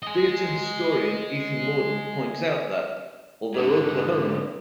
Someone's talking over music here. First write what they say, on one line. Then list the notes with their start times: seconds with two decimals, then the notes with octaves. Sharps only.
Theater historian Ethan Mordden points out that, although Oklahoma!
0.03 D#5 G#5
3.54 G#2 D3